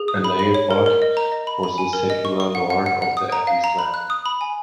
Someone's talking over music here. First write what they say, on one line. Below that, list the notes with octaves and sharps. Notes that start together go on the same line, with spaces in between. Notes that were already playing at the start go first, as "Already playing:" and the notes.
A "lay abbott" was the secular lord of the abbey's lands.
Already playing: G#4
D#6
B5
B5
C#5
A#4
A#4
D#5
A#5
D#5
B5
B5
G#5
A#4
D#5
C#6
C#6
F#5
F#5
F#5
F#5
D#6
A#5
F5
A#5
B5
F#6
D#6
B5
G#5